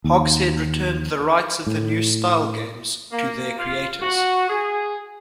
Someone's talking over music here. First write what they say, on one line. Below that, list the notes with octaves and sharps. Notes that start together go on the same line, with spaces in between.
Hogshead returned the rights of the New Style games to their creators.
D#2
A2
A#3
F4
F#4
G#4